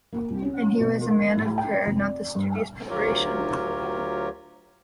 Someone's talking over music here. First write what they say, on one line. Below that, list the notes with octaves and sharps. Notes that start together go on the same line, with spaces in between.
And he was a man of prayer not of studious preparation.
A#3
C2
C#4
B2
A#4
A2
G5
F1
D5
G2
D2 F#3 F4 G4 A#4 C#5